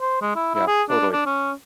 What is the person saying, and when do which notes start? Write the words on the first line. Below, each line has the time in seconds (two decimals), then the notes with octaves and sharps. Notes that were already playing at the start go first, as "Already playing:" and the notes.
Yeah, totally.
0.01 C5
0.22 G#3
0.36 E4
0.55 E4
0.67 G#4
0.89 D4
1.13 D4
1.26 C#4